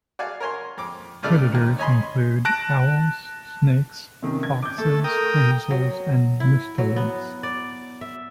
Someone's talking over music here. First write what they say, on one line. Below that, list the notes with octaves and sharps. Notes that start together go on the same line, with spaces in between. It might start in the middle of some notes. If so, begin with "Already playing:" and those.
Predators include owls, snakes, foxes, weasels, and mustelids.
F#4 D5 F5 G#5
A#4 C#5 G#5 C6
F2 D6
G2 A#2 C#3 A3 D5 F6
D#2 G#2
C#5 D#5 G#5 B5 C6
A5 F#6 A#6 D7
C3 D#3 C#4
G#6
D6 G6
A3 A4
A#4 G5 D#6
F#3
E4
F#3
B3
D5
E5